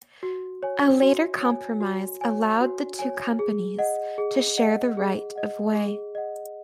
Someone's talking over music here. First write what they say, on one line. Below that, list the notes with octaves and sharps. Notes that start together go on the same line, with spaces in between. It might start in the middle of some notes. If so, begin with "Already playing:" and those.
A later compromise allowed the two companies to share the right of way.
F#4
C#5 G#5
F#4
C#5 G#5
F#4
C#5 G#5
F#4
C#5 G#5
G#4
D#5 F#5
G#4
D#5 F#5
G#4
D#5 F#5
G#4
D#5 F#5